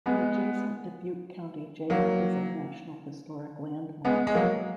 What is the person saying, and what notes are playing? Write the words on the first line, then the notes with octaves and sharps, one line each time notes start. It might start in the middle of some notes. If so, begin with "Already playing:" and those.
The adjacent Dubuque County Jail is a National Historic Landmark.
G#3 B3
F#3 A#3
G#3 B3
G#3
F#3 A#3